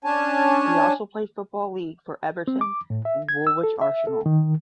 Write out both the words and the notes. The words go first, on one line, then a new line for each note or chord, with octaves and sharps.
He also played Football League for Everton and Woolwich Arsenal.
C#4 D4 C#5 G#5 A5
C4
D6
A2
E5
G#6
E6
A4
E5
A4
D#3